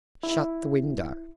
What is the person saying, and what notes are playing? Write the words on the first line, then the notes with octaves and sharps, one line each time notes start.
Shut the window.
E4